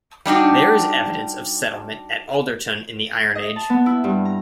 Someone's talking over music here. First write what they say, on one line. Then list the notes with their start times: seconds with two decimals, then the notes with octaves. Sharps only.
There is evidence of settlement at Alderton in the Iron Age.
0.26 G3 D4 D#4 F#4
3.35 D#5
3.56 A5
3.70 B3
3.86 E4
4.04 G2
4.25 A#5